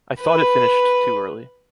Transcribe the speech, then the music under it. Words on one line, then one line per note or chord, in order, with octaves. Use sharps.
I thought it finished too early.
B4